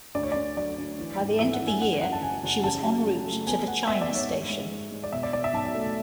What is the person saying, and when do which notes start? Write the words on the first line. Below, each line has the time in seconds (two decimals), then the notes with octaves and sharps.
By the end of the year, she was en route to the China Station.
0.15 D2 D5
0.23 C#5
0.32 D2 D5
0.57 F#3 D5
0.78 D2
0.99 E3
1.19 G#1
1.39 E3 E5
1.53 F#5
1.61 E3
1.67 G#5
1.80 F#2 F#5
2.01 F#2 F#5
2.12 A5
2.22 F#1 G#5
2.44 F#1
2.64 C#3 A5
2.84 F#3
3.05 F#3
3.26 A3
3.47 B3 G#5
3.67 B3 F#5
3.87 B3 E5
4.01 D5
4.09 G#2
4.15 C#5
4.29 G#2 C#5
4.50 G#3
4.71 G#2
4.91 G#3
5.04 D5
5.12 B2 E5
5.23 D5
5.33 B2 D5
5.44 E5
5.53 B1 A5
5.75 A3